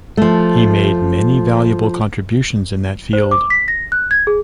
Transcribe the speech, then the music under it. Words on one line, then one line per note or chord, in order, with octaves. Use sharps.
He made many valuable contributions in that field.
F3 A3
C5
D6
B6
A#6
F#6
G#6
G#4